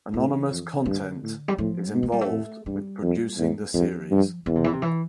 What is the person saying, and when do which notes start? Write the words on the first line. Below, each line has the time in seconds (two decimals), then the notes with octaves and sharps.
Anonymous Content is involved with producing the series.
0.14 A2 E3
0.50 F2
0.86 G2 D3
1.22 A2
1.48 G3
1.58 A2 F3
1.94 B2 B3
2.03 A3
2.12 G3
2.21 A3
2.30 A2
2.66 G2 G3
3.02 F2
3.38 E2
3.74 F2 F3
4.11 G2
4.46 E2 E3
4.55 C3
4.64 E3
4.73 C3
4.82 E3